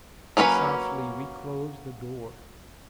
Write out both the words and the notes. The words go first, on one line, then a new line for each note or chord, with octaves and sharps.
He softly reclosed the door.
F#3 A#3 C#4 F#4 B4